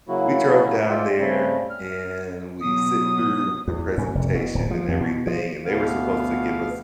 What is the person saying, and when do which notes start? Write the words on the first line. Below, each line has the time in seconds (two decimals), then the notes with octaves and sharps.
we drove down there, and we sit through the presentation and everything, and they were supposed to give us
0.08 C#3 F#3 A#3 E4 F#4
0.89 G#3 F4 D5 E5 G5
1.18 C#3 G3 A3 C4
1.70 F6
2.61 B2 F#3 D#6
3.68 E2
3.98 F#2
4.15 F1
4.34 B2
4.55 D1
4.71 F3
4.88 F2
5.01 B2
5.27 F3
5.65 D2 B2 B3 F5